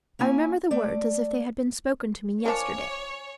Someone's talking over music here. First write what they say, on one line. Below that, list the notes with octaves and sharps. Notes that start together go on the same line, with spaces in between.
I remember the words as if they had been spoken to me yesterday.
A#3 C#4 E4 G#5
A3 D5
F3 D4 A#4 C#5 G#5 A5 C#6 D6